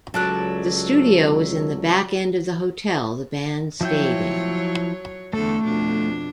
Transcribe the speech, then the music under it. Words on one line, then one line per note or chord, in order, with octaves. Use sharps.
The studio was in the back end of the hotel the band stayed in.
C#2 F#3 A4 D5 F#6
F3 F#3 E4 C#5 G5
E2 D3 A3 A4
F2 B2 D4